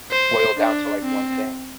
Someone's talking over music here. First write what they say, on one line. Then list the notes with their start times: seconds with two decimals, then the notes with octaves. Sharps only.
boil down to, like, one thing.
0.11 C5
0.57 D4
1.03 C4